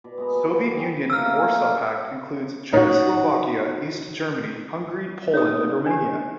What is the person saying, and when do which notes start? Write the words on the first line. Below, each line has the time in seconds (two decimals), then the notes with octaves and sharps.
"Soviet Union and Warsaw Pact" includes Czechoslovakia, East Germany, Hungary, Poland, and Romania.
0.04 B2 D5
0.18 G#3 B3 A#5
0.35 F#3 B3
0.49 F#5
0.65 F#2 G4 G#4 A5
1.10 A3 A#3 A#4 E6 F6
2.73 D#4 F#4 C#5
5.34 D#4 C#5 D#6
5.86 D4 G4